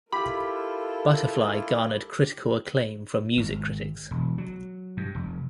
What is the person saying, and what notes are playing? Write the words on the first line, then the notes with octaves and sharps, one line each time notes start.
"Butterfly" garnered critical acclaim from music critics.
E4 F4 G4 A4 A#4 B5
G#1
E1
F#3
G2
F1